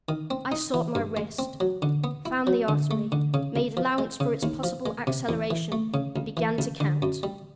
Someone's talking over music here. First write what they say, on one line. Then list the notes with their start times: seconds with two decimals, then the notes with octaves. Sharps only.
I sought my wrist, found the artery, made allowance for its possible acceleration, began to count.
0.09 D#3
0.31 C4
0.52 D#4
0.74 E3
0.95 G2
1.17 G#3
1.39 C4
1.60 F#3
1.82 D3
2.04 B3
2.26 E4
2.47 F#3
2.68 D3
2.91 A3
3.12 D3
3.34 C#3
3.56 C#2
3.77 F3
3.98 G#3
4.20 C#3
4.43 D#2
4.63 F3
4.86 G#3
5.07 C3
5.29 E2
5.50 E3
5.72 A3
5.94 C#3
6.16 C#2
6.37 E3
6.58 C#2
6.80 D3
7.02 F#2
7.23 G3